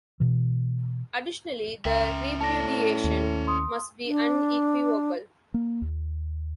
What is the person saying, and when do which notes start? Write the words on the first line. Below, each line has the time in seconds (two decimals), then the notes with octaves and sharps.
Additionally, the repudiation must be unequivocal.
0.20 B2 E3
1.85 C#2 C#4 E5 G5 A#5
2.41 A2 C#4 D5 A5 A#6
3.04 D#2
3.47 C6 D#6
4.06 D4
5.54 A#3
5.82 D#2